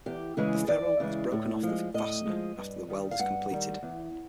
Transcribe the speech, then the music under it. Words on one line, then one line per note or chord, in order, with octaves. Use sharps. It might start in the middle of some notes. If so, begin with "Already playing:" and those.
The ferrule is broken off of the fastener after the weld is completed.
E2 G4
C#3 E3 G#3 G#4
E2 D5
C#3 E3 G#3
A2
F3 G#3
A2 D#5
F3 G#3
G2
D#3 G3
F5
G2 F#5
D#3 G3
E2